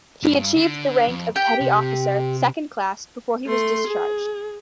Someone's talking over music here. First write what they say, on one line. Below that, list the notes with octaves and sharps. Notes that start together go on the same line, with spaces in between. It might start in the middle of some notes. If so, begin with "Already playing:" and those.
He achieved the rank of Petty Officer Second Class before he was discharged.
G2
D3
F2 F3
G4 G5
C3
A3 C6
G#4